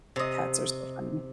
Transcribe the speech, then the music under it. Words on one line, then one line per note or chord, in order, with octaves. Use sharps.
Cats are so funny.
C3 D#5